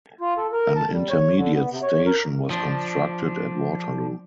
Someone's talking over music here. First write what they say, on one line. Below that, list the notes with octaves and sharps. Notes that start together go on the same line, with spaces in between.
An intermediate station was constructed at Waterloo.
F4
A4
A#4
A5
G3
C#5
D3
B3
C3
C#5
A#4
F3 D4